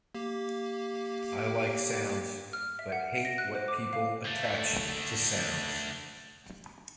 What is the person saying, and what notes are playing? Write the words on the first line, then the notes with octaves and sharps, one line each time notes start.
I like sounds, but hate what people attach to sounds.
A#3 G4
F6
E5
F#5
A#6
F#6
C5
D6
F5
D3 A3